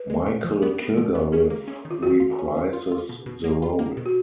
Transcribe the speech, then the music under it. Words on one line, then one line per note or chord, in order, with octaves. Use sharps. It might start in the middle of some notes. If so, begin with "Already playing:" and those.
Michael Kilgarriff reprises the role.
Already playing: B4
G#3
A#2
F3
B3 A#4
B3
F3
B3
C#4 G#4
A#3
C#4
D#3
F4
D#3 F#4
F4
C#4
C#4
F4
F4
B2
B2
A#3
F4
A#3
B2
F#4